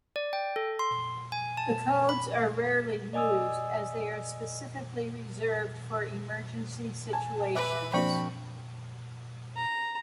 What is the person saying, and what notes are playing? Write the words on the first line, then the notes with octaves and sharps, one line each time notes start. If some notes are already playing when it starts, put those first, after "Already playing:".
The codes are rarely used as they are specifically reserved for emergency situations.
D5
G5
A4
C6
G#5
A5
B5
D5 D#5 G#5 D#6 E6
G#5 A5
B4 E5 D6 F#6
F3 A#3 C4 D4 F#4 G5 B5 C#6
A#5